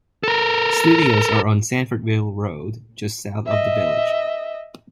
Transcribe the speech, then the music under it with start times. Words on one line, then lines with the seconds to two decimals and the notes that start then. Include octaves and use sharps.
Studios are on Sanfordville Road, just south of the village.
0.24 A4 A#4
3.46 D#5 E5